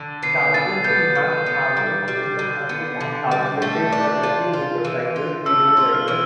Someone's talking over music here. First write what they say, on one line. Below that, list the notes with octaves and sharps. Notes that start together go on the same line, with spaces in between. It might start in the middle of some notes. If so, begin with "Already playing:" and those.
Calculated Match Average is a handicap calculated for every motorcycle speedway rider.
Already playing: D3
B3 C7
D3 A6
B3 G6
D3
B3
G3
G3
D3
B3
D3
G3
A3
D4
F4
F4
E3
F4
A3 E6
E6
F4
F6
E3